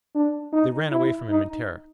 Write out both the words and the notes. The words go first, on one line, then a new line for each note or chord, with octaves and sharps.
They ran away from him in terror.
D4
D#4
E4
D#4